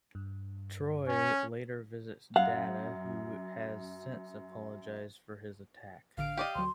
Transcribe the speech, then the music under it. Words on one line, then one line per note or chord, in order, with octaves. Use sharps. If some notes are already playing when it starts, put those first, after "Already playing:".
Troi later visits Data, who has since apologized for his attack.
G2
C#4
F#2 F5 F#5
A1 D3 F5 D7
G4 D5 D#5
D2 F#3 C6